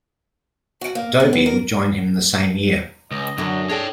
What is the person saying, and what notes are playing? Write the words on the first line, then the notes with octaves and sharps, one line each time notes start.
Doby would join him the same year.
F#4
A#3
B3
B3
A#4
C#2 D#5
F#2 D3 F#3 D4
D4 G#4 A4 C#5 G5